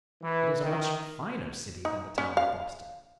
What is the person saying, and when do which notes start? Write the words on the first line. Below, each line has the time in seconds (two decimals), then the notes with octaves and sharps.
It is a much finer city than the town of Boston.
0.21 E3
0.63 D#3
1.85 D#4
2.18 C#4
2.37 F5